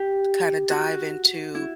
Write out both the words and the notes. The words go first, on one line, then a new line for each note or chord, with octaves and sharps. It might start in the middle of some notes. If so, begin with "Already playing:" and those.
kinda dive into,
Already playing: G4
F#4
E4